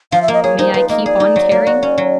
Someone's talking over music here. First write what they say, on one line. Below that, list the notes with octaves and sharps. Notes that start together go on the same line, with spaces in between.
May I keep on caring?'
F3 F5
E5
A#3 D#5
G#4 C#5
D#4 C5
F3 B4
A#3 D#5
G#4 D5
D#4
F#3
A#3
F#4
C#4
F#3